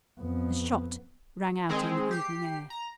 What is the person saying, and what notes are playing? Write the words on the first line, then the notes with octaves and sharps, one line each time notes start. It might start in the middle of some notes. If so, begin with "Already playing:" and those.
A shot rang out in the evening air.
F2 B3
D#3 G#3 C4 G#4
G4 C7
A#5